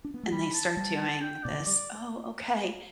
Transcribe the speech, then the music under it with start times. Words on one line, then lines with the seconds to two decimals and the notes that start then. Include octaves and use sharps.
and they start doing this, "Oh, okay.
0.04 D4
0.14 B3
0.23 A3
0.32 G3 B5
0.54 A5
0.77 G3
1.21 G5
1.44 B2 D5
1.52 D3
1.60 E3
1.67 G3 D5